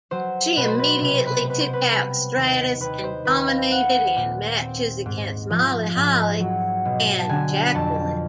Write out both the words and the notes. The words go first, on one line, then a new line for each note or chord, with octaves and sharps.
She immediately took out Stratus and dominated in matches against Molly Holly and Jacqueline.
F#3 C5
B2 B4
C5
B4
C5
C3 B4
C5
B4
C5
B3 B4
C5
B4
G3 B4
D#2
D#2 B4
C5
D#2 B4
F5
B3 F#5
A#2
C4
G#2
F3
G#2
F#3
B2
A5
D3 G#5
F2 A5